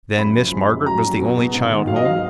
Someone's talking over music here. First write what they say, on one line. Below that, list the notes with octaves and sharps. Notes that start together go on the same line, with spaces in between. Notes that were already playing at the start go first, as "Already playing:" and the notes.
"Then Miss Margaret was the only child home?"
F#2 B5
F3
G#3
F#2
F#3 A#5
F#3
B2
B2
G#2
D#3
F#3 F5
D#5
G#2 F5